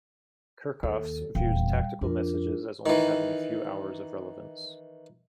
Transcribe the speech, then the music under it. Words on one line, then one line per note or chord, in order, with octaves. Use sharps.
Kerckhoffs viewed tactical messages as only having a few hours of relevance.
D#2 A4
D#1 E2 G3 F5 G5
F2 D4 F4 A#4
D#3 E3